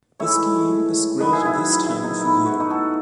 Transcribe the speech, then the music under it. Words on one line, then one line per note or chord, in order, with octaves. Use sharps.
The skiing is great this time of year.
A2 E3 G#3 C#5 E5
F#2 D#3 F#3 B4 D#5
E4 G#4
E4
E4
E4
D#4
A2 E3 B3 E4
F#4
E4
D#4 F#4
F#4 A4